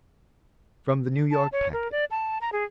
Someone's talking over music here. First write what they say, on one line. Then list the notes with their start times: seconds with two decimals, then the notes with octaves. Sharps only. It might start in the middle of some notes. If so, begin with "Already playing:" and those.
From the New York Packet.
1.31 A5
1.52 C#5
1.73 A#4
1.92 D5
2.11 A5
2.41 A#5
2.52 G#4